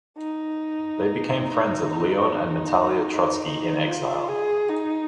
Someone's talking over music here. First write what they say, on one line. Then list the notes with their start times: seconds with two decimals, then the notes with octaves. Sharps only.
They became friends of Leon and Natalia Trotsky in exile.
0.18 D#4
3.45 D#4
3.87 F4
4.29 G#4
4.69 D#4